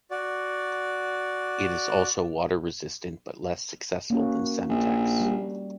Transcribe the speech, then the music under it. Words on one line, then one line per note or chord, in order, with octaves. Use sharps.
It is also water resistant, but less successfully than Semtex.
F#4 D5
A#3 C#4 F#4
A#1
G3